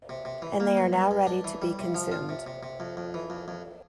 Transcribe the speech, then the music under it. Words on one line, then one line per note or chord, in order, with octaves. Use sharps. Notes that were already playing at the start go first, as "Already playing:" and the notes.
And they are now ready to be consumed.
C3
C3
E3
A#3
G2
G2
G2
D4
E3
G3
C3
F3
F4
C3
C3
C3
F2
F2
E3
F2
F2